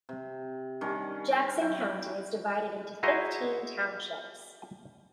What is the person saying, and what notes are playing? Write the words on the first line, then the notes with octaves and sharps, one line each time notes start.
Jackson County is divided into fifteen townships.
C3
D#3 G3 C#4 D4
F#3 E4 G5
E4 F#4 G#4 C5 D#5 A#5